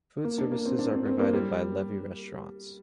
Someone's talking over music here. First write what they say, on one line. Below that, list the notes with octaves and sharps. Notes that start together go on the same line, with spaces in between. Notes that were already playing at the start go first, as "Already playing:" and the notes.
Food services are provided by Levy Restaurants.
A#3
D4
A#3
C4
D4
C4
C4
A#3
G3